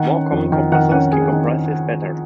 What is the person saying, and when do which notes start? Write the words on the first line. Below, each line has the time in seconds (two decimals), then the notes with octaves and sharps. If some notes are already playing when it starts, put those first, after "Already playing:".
More common compressors can compress this better.
Already playing: D#3 F#5
0.10 C#4
0.32 F2
0.52 D#3
0.72 D#3 F#5
0.92 C#4 F#5
1.12 C#4 G#4 G#5
1.32 D#3